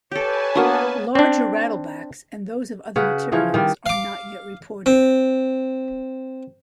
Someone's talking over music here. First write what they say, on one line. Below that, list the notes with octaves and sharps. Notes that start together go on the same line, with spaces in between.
Larger rattlebacks, and those of other materials, are not yet reported.
G4 A4 B4 C#5 G#5 A5
A#3 B3 D4 F#4 A#4
C4 D4
C#3 F#4 B4
C#3 E3 F3 C#4
D#3 G3
F5 D6
C4